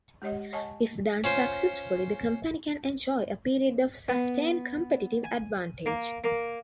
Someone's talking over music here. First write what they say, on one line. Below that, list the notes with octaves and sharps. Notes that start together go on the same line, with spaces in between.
If done successfully, the company can enjoy a period of sustained competitive advantage.
G#3 G4 C#5 D#5 F#5
C#5 D#5 F#5 G#5 A5 C#6
C#4 F4 C5
B3
G#5
A#3
A#3